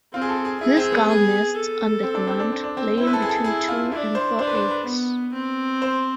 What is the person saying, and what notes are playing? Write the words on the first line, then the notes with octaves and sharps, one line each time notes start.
This gull nests on the ground, laying between two and four eggs.
C4 F4
G#4
A4
G#4
E4 G#4
C4
B3
G#4
A4
C4
D4
C4
D4
C4
D4
C4
C4 E4
B4
A4
G#4
A4
E4 G#4
F4
D4 E4
C5
D4 C5
B4
C5
B4
B3
C4
C5